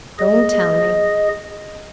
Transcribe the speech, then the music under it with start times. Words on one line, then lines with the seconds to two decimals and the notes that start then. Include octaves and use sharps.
Don't tell me.
0.19 G#4 D#5